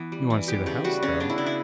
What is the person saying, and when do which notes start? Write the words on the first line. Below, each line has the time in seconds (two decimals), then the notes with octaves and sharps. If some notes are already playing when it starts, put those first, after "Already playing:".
"You want to see the house, though?"
Already playing: E3 B3
0.12 G3
0.30 E3
0.48 B3 G4
0.66 C#3 G4
0.84 G3 F#4
1.03 C#3 C#4
1.20 B3 D4
1.30 E4
1.38 C#3 D4
1.46 E4